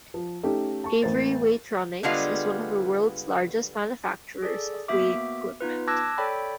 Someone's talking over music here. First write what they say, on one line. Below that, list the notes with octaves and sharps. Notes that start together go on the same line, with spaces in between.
Avery Weigh-Tronix is one of the world's largest manufacturers of weighing equipment.
F3
A3 C#4 D#4 G4
A5 C#6
A1 A#3 C5 A6
D3 G3 G#3 B3 F4 F5
G#4 A4 D5
A#3 B3 F#4 E5 D6
B3 D#4 F4 B4
A5 D6 E6 F#6 G#6 A#6
A4 C#5 D5 G5 B5